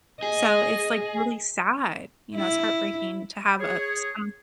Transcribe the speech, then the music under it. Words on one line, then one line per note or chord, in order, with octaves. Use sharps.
So it's like, really sad, you know, it's heartbreaking to have a skunk
G#4 D#5
E4
G#4 C#5